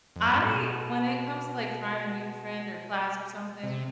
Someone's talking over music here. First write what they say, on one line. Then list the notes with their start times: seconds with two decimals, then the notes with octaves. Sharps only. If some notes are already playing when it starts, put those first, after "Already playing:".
I when it comes to, like, trying a new trend or class or something
0.16 F2
0.27 G2
0.39 A2
0.50 B2
3.63 C3